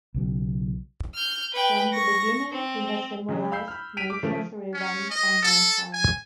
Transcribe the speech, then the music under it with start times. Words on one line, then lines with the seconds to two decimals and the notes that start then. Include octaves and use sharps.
From the beginning he has symbolized nature's revenge on mankind.
0.14 B1 C#3 F#3
1.15 F6 G6
1.53 B4 G5
1.93 C#6 A#6
2.51 C4
3.29 C#3 F#3 G#3
3.51 F5 B5 E6 G6 C7
3.68 B5 F6
3.97 B6 D7 D#7 F7
4.10 D6
4.23 C#3 F3 A3
4.74 C#4
5.10 D#5
5.43 A4
5.93 G#5